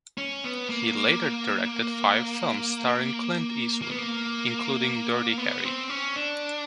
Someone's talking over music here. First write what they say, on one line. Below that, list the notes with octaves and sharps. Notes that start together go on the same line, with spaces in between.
He later directed five films starring Clint Eastwood, including "Dirty Harry".
C#4
B3
A#3
A#3
B3
A#3
B3
C4
C#4
D4